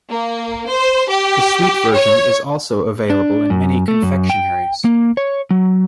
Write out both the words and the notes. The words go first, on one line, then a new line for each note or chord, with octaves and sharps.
The sweet version is also available in many confectioneries.
A#3
C5
G4
C#5
D4
F#2
A3
F#2
G5
A#3
C#5
F#3